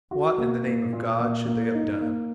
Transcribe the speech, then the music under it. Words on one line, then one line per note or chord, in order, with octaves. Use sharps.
What, in the name of God, should they have done?
F#4
A#3
A#2
A#2
A#3
A#3
D#4
A#3